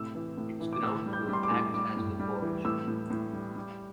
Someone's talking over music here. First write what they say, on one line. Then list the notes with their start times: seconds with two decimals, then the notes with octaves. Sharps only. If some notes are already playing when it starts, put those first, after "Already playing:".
Its ground floor acts as the porch.
Already playing: A2 C3 E6
0.15 E3
0.38 A2
0.60 E3
0.73 D6
0.83 A2 E6
1.06 G3
1.13 G6
1.28 G3 C6
1.43 D6
1.51 A2
1.74 G3 D6
1.97 A2
2.19 G3
2.42 E3
2.65 A2 E6
2.87 A2
3.10 A2
3.33 G3
3.56 G3